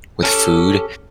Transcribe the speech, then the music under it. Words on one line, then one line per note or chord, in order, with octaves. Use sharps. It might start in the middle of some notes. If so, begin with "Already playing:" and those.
with food,
C#4 G4 A4